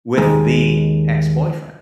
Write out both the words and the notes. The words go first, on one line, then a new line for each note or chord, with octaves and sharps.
with the ex-boyfriend.
D#2 G#3